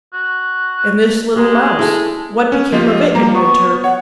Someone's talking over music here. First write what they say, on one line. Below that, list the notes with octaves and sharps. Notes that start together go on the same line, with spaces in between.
And this little mouse, what became of it in winter?
F#4
G#3 G4
E4 G#4 A4
C#4
F3 F4 G4 D#5
G3 A#3 A#5
B3 C#6
C#5 F#5